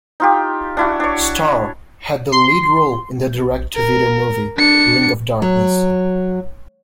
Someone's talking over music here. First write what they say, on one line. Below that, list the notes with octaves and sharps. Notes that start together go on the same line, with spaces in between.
Starr had the lead role in the Direct-To-Video movie, "Ring of Darkness".
D#4 F4 G4
D4 E4 F#4
D4 C#5
C6
A#4
D4 C#7
F#3